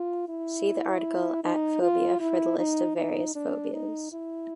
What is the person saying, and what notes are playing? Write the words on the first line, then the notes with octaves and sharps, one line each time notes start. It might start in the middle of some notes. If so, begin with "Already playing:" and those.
See the article at -phobia for the list of various phobias.
Already playing: F4
E4
D#4
F4
E4
D#4
D#4
D4
D#4
E4